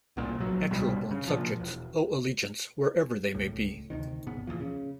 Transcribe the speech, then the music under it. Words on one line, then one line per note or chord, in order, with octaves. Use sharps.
Natural-born subjects owe allegiance wherever they may be.
C2 A#2
A#1 F#3
D1 C2 B2 G3
C#3
A#2 F3
E1
D1 C#2 A2
D2 C3 D#3
G#1 C#3 B3
E2 A#2 F3
C#3